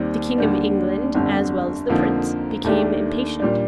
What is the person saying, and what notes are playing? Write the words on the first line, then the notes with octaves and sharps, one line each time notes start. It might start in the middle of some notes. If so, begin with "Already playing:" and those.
The king of England, as well as the prince, became impatient.
Already playing: D#2 D#3 G3 C4
D#2 D3 G3 D4
G1 F2 D3 G3
F2 D3 F3 A#3 D#4
D#2 D#3 A3 D4 G4
A#2 G3 D4